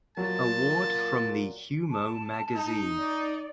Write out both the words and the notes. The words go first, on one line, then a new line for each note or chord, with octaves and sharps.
Award from the Humo magazine.
A#2 F#3 A5
A5
D#4
D5